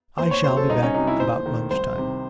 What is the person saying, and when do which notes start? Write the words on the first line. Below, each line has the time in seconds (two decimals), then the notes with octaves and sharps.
I shall be back about lunch time.'
0.18 D#2 C5
0.31 C#5
0.44 C#3 F#3 C5
0.57 A4
0.69 C2 D#4
0.82 C#4
0.94 C3 F#3 D#4
1.07 E4
1.19 D#2 C5
1.46 D#3 A3
1.71 C2 C5
1.96 C3 D#3